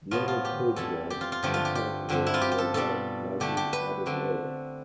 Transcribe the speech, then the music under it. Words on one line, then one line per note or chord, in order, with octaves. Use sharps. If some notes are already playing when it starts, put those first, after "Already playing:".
The other courtyards and passages were thus likely added later.
A2 F3 B3 F4
F4
G4
F2 E3 G3 A4
G4
F4
F4
G2 D3 F3 A3 G4
F4
G4
G4
G2 D3 G3 C4
E4
F4
G4
G4
A4
B2 G3 D4 A4
D3 A3 D4 G4
G4
B4
D3 A3 C4